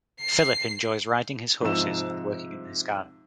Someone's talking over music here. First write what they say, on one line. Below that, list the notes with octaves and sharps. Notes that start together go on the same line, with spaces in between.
Philip enjoys riding his horses and working in his garden.
C7
G#2 C3 F3 E6 E7